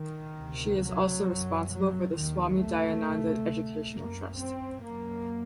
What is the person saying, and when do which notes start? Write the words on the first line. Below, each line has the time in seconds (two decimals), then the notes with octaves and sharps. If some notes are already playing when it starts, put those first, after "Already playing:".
She is also responsible for the Swami Dayananda Educational Trust.
Already playing: D#3
0.36 D2 C3
0.81 F#3
1.26 F#2
1.71 F#3
2.15 D#2 D#3
2.60 A3
3.05 D2 C3
3.94 F#2 A#3
4.39 C4
4.83 F#2 A#3